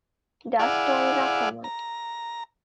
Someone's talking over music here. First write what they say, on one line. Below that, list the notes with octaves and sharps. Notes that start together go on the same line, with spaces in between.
Dust storms are common.
E4 G#4 D5 F5 F#5
A#5